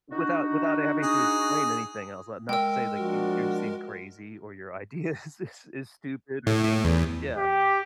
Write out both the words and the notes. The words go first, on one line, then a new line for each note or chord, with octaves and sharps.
Without without having to explain anything else. Li not to say, like, you you seem crazy, or your idea is is is stupid or dangerous. Yeah.
D4 D#4 F#4
G#4
G#3 A#4 G5 E6
F3 D4 F#4
A2
A2
E2
G4